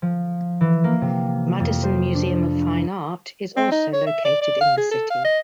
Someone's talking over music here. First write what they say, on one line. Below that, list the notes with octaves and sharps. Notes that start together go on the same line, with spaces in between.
Madison Museum of Fine Art is also located in the city.
F3
E3
A#3
C3
F2
C5
D4
C4
D#4
C#5
E5
D5
D5
F5
G#4
A4
F5
D#5